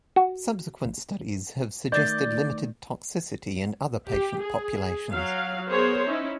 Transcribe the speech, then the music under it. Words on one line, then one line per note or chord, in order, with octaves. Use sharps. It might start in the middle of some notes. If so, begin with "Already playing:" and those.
Subsequent studies have suggested limited toxicity in other patient populations.
F#4
D#3 A3 D5 G6 A6
G4
G#4
F#3 F5
B3 G#4 A#4 C5 C#5
C#4 D#4 E4